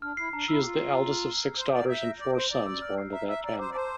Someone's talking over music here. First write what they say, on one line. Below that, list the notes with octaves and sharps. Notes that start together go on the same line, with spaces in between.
She is the eldest of six daughters and four sons born to that family.
D4 F6
E4 C7
D4 A#5
E4 E6
G4
F4 F6
C7
A#5
F6
A#5
F6
C5 G6
D5 D7
E5 G6
A#6
D5 G6
C5 D7
D5 A#5
E6
F6
C7
E5 A#5
E5 E6
D5 A#5
C5 D6
D5
C5 A5